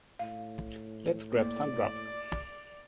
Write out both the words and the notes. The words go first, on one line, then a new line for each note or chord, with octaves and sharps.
Let's grab some grub.
A2 F5
A#3 D5